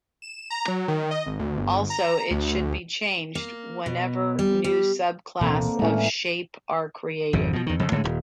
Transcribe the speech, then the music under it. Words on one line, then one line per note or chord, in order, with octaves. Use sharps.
Also, it should be changed whenever new subclass of Shape are created.
E7
A#5
F#3
D#3
D#5
G#1
D2
G1
A#5
D2
A#3
B2
G3
G3
D1 B2 D3 E3 A#3 C4
A2 D3 E3 G#3 C#4
G#1 F2 C#3
B2 F3
E2 D#3
F2 C#3
A2 D3 F#3 G#3
D#1